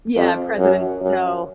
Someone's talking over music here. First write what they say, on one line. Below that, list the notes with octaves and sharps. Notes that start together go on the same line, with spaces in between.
Yeah, President Snow.
F2
F#2
F#2